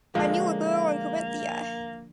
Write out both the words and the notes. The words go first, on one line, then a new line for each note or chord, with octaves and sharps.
I knew a girl in Carinthia.
D3 F3 G#3 A#3